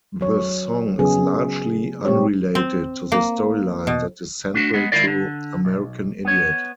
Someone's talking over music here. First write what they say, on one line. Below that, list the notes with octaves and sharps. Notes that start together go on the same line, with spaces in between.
The song is largely unrelated to the storyline that is central to "American Idiot".
F#3 C#5
C#3 F#3 B3 G#4
A#2 G3 C4 G4 C#5
C4
A#3
B2
A3 D4 F#4
G#3 B3
D#3 G#3 E4 F4 A#4 D5
D3
B1
B3 C#5